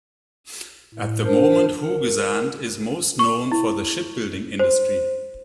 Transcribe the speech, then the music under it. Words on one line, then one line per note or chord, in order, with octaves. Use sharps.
At the moment Hoogezand is most known for the shipbuilding industry.
A2
D4 A#4 C5
A#4
C#6
E4
C5